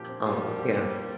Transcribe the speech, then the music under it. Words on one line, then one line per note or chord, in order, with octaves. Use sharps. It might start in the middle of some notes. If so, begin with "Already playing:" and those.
Uh, yeah.
Already playing: A#2 F3 G4
C4
A#2 G3 A#3
F3
G4
C4